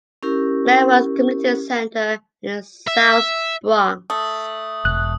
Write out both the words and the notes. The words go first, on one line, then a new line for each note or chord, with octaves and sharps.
Melrose Community Center in the South Bronx.
C#4 E4 G4 A#4
E5
A3 D#6
E1 F#6